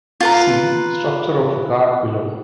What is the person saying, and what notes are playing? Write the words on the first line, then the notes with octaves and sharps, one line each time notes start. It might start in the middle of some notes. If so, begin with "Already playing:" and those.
See "structure of a card" below.
F4 B4 A#5